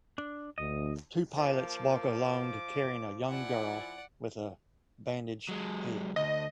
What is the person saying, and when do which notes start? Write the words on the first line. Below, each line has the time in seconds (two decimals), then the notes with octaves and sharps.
Two pilots walk along carrying a young girl with a bandaged head.
0.18 D4
0.58 D2 D#5
1.37 F3 A#3 A5 D6
3.30 F3 E4 D5 F#5 G#5
5.49 F#3 G#3
6.16 D2 D#5